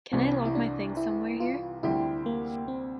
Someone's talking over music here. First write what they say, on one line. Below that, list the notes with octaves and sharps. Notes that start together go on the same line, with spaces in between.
Can I lock my things somewhere here?
C2 C3 E3 G3 C4
E4
D4
E4
F4
D2 D3 G3 C4 E4 G4
A#3
C4